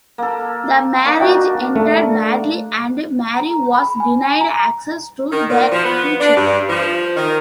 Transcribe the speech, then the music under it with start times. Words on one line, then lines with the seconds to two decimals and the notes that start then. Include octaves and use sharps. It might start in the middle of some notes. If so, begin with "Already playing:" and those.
The marriage ended badly and Mary was denied access to their two children.
0.18 A#3 A4
1.06 A#3 D4
1.20 F#4 D#5 G5
1.76 A3
3.36 A#5
3.75 B5
4.00 G#5
4.41 A#5
5.31 D#3
5.49 A#2
5.72 F3
5.84 B3
6.20 D4
6.36 G2
6.69 F3
7.17 D#3